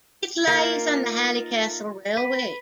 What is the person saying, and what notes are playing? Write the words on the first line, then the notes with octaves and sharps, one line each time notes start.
It lies on the Halle-Kassel railway.
A#3 D#4 F4 A#4
B4